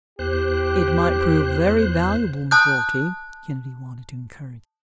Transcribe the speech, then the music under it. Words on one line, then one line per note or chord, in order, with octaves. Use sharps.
"It might prove very valuable, McGroarty." Kennedy wanted to encourage him.
E2 G4 C5 F#6
A5 D#6 F#6 G6